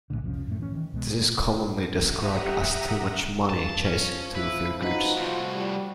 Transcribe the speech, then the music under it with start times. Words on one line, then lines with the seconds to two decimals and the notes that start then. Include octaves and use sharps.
This is commonly described as "too much money chasing too few goods".
0.10 A#1 F2 A2 D3
0.23 F1 C2 F3 C#4
0.47 F#2 A2 A3
0.59 E3 C#4
0.72 D#3 E3
0.92 C2 B2 G#3
2.00 G4 E5 F#5 A#5 D#6
3.50 G2 A5
3.85 F3 C#4
4.35 E4 B4
4.83 D#4 F#4 B4
5.18 C2 A2 F4
5.54 G3